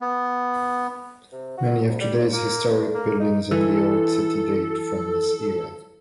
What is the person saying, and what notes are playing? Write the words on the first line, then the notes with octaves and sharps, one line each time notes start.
Many of today's historic buildings in the Old City date from this era.
B3
C3
F#4
C2
G3
D#2
A#3
G2
A#3
D#4
E3 A4